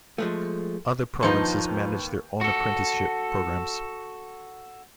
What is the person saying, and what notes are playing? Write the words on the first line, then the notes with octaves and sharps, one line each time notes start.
Other provinces manage their own apprenticeship programs.
F3 G#3 A3
D#2 F3 D#4 B4 G6
F#4 A4